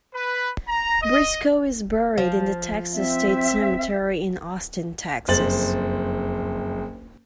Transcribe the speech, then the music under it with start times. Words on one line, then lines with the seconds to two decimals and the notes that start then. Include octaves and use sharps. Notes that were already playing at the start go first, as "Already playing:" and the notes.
Briscoe is buried in the Texas State Cemetery in Austin, Texas.
0.14 B4
0.68 A#5
1.02 D#5
2.18 F3
2.93 C4 E5
5.28 F#1 F2 C5 A6 F#7